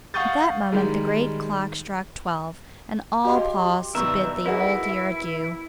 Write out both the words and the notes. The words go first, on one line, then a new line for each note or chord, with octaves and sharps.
At that moment the great clock struck twelve, and all paused to bid the old year adieu.
F5 F#5 C#6 D#6 G6 A6
D#3 G3 G#3
F#4 G4 D#5 F5 C6
G2 B2 D#3 E5 A#5 C#6
D#4 E4 F#4 G#4 A#4 B4
E5